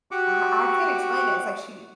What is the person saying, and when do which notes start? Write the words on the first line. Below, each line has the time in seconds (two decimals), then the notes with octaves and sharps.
I I can't explain it. It's like she
0.11 F#4 G4 F#5 C#6 D6